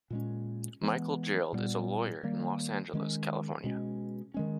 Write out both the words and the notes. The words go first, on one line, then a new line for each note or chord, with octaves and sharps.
Michael Gerald is a lawyer in Los Angeles, California.
A#2 G#3 C#4
E3 G#3 B3
A#2 G3 B3
D#3 G3 A#3
D#3 G#3 C#4
B2 G#3 C#4
D#3 G#3 C#4